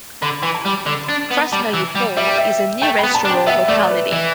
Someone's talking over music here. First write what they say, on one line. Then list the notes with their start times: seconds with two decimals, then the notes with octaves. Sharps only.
Krasnoye Pole is the nearest rural locality.
0.22 D3 B5
0.43 E3
0.54 A5
0.66 G3
0.86 D3
1.09 D4
1.31 B3
1.52 G3 A5
1.74 E3
1.95 G3
2.17 G3 E5
2.28 G5
2.38 E5
2.82 A3 G5
2.99 B5
3.04 B3
3.15 A5
3.25 D4
3.30 G5
3.47 B3 E5
3.68 A3 D5
3.91 B4
4.12 E3 E5